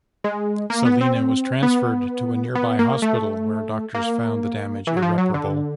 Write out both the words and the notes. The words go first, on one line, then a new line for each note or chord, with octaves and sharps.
Selena was transferred to a nearby hospital, where doctors found the damage irreparable.
G#3
A#3
B3
C4
B3
B3
A#3
A3
A#3
E3
F#3
F3
F#3
D3